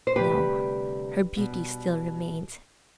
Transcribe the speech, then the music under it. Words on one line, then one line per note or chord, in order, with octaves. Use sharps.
No! her beauty still remained.
C5
D2 C3 G3 G4 B4
B2 G3